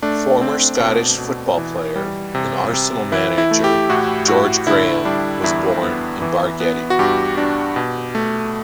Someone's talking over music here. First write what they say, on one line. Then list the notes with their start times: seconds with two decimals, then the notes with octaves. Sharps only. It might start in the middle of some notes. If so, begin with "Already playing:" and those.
Former Scottish football player and Arsenal manager George Graham was born in Bargeddie.
0.03 A3 D4
0.42 C4
0.80 B2
1.18 B2
1.57 E3
1.96 G3
2.35 C3
2.73 C3
3.12 E3 E4
3.38 E4
3.51 A3
3.64 G4
3.90 A2 F#4
4.28 A2 F#4
4.67 D3 E4
5.05 G3 D4
5.44 E2 E4
5.83 B3
6.22 E3
6.60 B3
6.90 F#4
6.99 G2 G4
7.37 D4
7.76 B2
8.15 A3